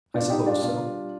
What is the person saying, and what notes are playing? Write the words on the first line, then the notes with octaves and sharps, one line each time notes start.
"I suppose so."
B2 D4 F4
D#4 G4
G3
D4 F4
B2 D4 F4
G3